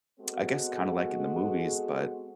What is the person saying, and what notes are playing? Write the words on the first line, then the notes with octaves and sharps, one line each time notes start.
I guess kinda like in the movies, but
G#3 B3 C4 F#4 G#4 A4